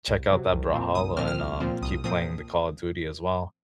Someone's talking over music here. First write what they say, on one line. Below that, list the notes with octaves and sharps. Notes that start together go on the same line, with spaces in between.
check out that Brawlhalla and, um, keep playing the Call of Duty as well.
C2
C3 F#3
C2
A#2 F3 C4
C2 D#6
A#2 F3 C4 F6
F6
C2
A#2 F3 C4
C2 D#6
A#2 F3 C4 D#6